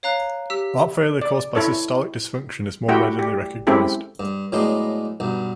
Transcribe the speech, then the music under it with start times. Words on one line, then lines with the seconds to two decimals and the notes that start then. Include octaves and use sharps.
Heart failure caused by systolic dysfunction is more readily recognized.
0.03 C#5 F5 A#5 F#6
0.50 G4 E6 B6
1.21 D5
1.55 E4 A4 C#5
2.88 A3 E4 F#4 G4 G5
3.19 G4
3.67 G#3 C4 C#4 E4 G4 A4
4.20 G2
4.52 A2 F#3 G#3 B3 D4 C6
5.20 B1 G2